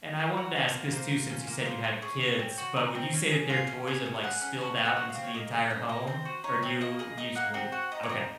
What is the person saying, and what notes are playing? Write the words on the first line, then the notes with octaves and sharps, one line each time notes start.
And I wanted to ask this too since you said you have kids, but would you say that their toys have, like, spilled out into the entire home? Or do you usually Okay.
A#3
F#4
C#4 C5
A#3
A#3 C5
F4
C#4
A#3
G#4 C5
C#4
G#4 C#5
C#4
C4
F#4
D#4
C4
C#4
G#4
F4 F5
C#4
G#4 G#5
C#4
G#4 F#5
C#4
F#4
C4
F#5
F#4
F5
C4
C#5
A#3 D#5
G#4
C#4 D#5
A#3 D#5
C4 C5
F#4
D#4 C#5
C4
A#3 D#5
G#4 D#5
D#4 D#5
A#3 F#5
C4 F#5
F#4 F#5
D#4 D#5
C#5
C4 D#5